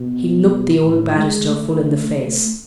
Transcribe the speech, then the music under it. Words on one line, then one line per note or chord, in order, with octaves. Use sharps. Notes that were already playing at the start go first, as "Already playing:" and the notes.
He looked the old barrister full in the face.
Already playing: B2
A2
G#3
A3
A3